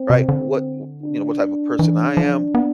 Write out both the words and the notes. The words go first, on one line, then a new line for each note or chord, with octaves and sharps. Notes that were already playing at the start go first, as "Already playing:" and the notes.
right, what, w what, you know, what type of person I am.
Already playing: C4
C3
D3
D4
E3
F3
B3